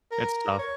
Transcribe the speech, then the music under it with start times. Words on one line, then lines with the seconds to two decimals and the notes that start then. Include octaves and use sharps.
It's tough.
0.12 A#4
0.59 C#5